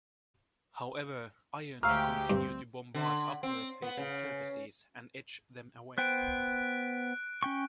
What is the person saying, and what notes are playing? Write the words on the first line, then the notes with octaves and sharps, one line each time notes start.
However, ions continue to bombard upward-facing surfaces and etch them away.
D2 G#3 G4 F5 A#5 C#6 E6 F6
G2 C4
D3
C4
B3
C#3
B3 C5 G5 F#6 D7
C#4 G5 C#6